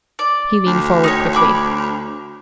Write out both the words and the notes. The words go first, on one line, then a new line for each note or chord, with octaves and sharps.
He leaned forward quickly.
D5
D2
D#4 G4 C#5
C#5 B5 D6